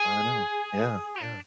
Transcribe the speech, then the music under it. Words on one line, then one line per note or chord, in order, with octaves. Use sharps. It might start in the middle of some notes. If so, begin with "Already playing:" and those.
I know. Yeah, yeah.
Already playing: G#4
D4